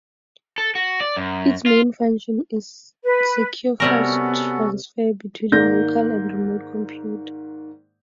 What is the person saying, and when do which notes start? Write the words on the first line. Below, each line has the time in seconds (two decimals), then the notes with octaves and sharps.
Its main function is secure file transfer between a local and a remote computer.
0.58 A4
0.75 F#4
1.01 D5
1.17 F#2
1.66 F4
3.04 B4
3.80 C3 G3 B3 C#4 F#4 A4 A#4
5.52 G#2 D#3 A#3 D5 G6 A#6